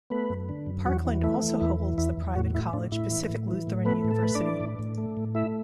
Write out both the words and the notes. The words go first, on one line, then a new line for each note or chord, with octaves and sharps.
Parkland also holds the private college Pacific Lutheran University.
A3 B3 B4
F#2
D3
F#2
E2 F#3 F#4
E3
A3 E4
E3
E2 E4
E3
E2 E4
E2
A2 F#3 F#4
A2 E4
A2 D4
A2 E4
E3
A2
E3
A2
A3 B3 B4
A2
A4
A3 B4
D4 D5
E3
A2
A2
A3
A2
A3 E4 E5